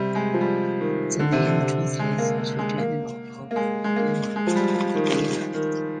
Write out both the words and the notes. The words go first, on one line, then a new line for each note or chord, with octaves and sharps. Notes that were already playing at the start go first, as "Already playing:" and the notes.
The name translates to "General of Bravery and Valor".
Already playing: C3 G3
G#3
F3
G3
D#3
D3
C3
D3
C3
G#3
A#3
A#3
G#3
A#3
A#3
G#3
G#3
A#3
G#3
F3
G3
F3
D#3
D#3